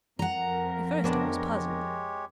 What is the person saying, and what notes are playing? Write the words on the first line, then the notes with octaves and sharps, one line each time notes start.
At first I was puzzled.
F2 F3 A#4 F#5 A#5
G#3 B3 D4 G4 C#5